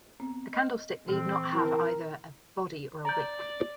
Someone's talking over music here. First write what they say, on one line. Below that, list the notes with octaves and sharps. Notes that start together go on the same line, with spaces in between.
A candlestick need not have either a body or a wick.
B3 C4
D#5 F6
A#2 E3 C4
E4 A#4 A5
D5 A#5 G6